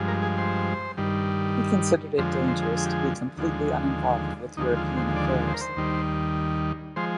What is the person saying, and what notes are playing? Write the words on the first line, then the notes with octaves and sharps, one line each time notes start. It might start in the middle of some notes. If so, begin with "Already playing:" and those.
He considered it dangerous to be completely uninvolved with European affairs.
Already playing: G2 F3 G#3
A#4
G#4
C5
G2 D#3 G3
F2 D3 F3 G#3 C5
C5
C5
G#4
G#4
G4
G#4
D#2 D3 F3 G#3
D#2 D3 F3 G#3 D#4
F4
C5
D5
C5
A#4
C5
D#2 D#3 G3
F3 G#3 C5